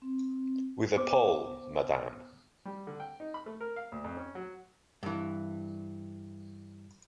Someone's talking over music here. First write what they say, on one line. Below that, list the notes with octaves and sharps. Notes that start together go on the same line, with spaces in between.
With a pole, madam.
C4
B3 C5 D6
G3
D3
G5
D#4
B5
A3
A#4
F5
D2
F2
C#4
F#3
G2 E3